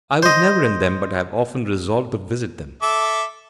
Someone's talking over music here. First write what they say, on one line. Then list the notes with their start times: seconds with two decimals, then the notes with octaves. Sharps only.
"I was never in them; but I have often resolved to visit them."
0.23 C5 D#5
2.82 A4 E5 D6